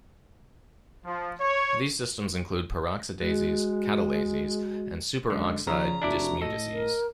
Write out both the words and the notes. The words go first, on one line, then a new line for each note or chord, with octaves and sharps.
These systems include peroxidases, catalases, and superoxide dismutases.
F3
C#5
G#3 F#4
F#2 D3 G#3
C#3 F3 D5 A#5
F1 D4 E4 F#4 D5
A2 A4 D#5
A#4